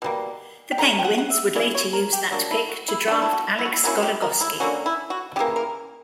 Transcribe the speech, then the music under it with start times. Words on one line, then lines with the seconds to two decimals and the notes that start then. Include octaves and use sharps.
The Penguins would later use that pick to draft Alex Goligoski.
0.02 B2 G3 A#3
0.72 G5
0.78 D3 F#3 C#4 A#5
0.99 G5
1.04 F#5
1.18 F#5
1.30 E5
1.55 F#3 C#4 E4 D5
1.75 C#5
1.93 A#4
2.13 G4
2.31 F#3 A#3 D4 F#4
2.51 E4
2.69 F#4
2.88 E4
3.07 D3 A#3 D4 F#4
3.22 E4
3.33 F#4
3.59 E4
3.65 F#4
3.73 E4
3.83 F#3 A#3 C#4 E4
3.96 F#4
4.03 G4
4.22 A#4
4.41 E4
4.60 D3 A#3 C#4 F#4
4.86 E4
5.10 F#4
5.36 C#3 G4
5.39 E3 A#3
5.56 A#4